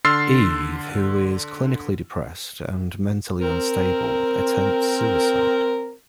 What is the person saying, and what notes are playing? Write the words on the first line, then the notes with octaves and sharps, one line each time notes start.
Eve, who is clinically depressed and mentally unstable, attempts suicide.
D3 C6 E6 F6 A6 C7
C4 A#4